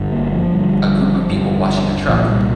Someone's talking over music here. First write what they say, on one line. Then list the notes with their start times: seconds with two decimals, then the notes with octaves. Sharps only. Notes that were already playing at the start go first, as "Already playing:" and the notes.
A group of people washing a truck.
Already playing: G1 G2
0.13 A#3
0.32 F3
0.52 G1 G2
1.30 G1 G2
2.09 C2 A#2 F3
2.28 G3